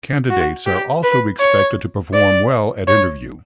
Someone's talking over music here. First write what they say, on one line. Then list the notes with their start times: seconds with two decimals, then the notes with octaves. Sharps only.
Candidates are also expected to perform well at interview.
0.30 F#4
0.66 G4
1.03 B4
1.40 C#5
2.14 D5
2.88 C#5